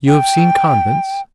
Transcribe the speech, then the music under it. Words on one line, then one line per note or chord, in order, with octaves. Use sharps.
"You have seen convents?"
G5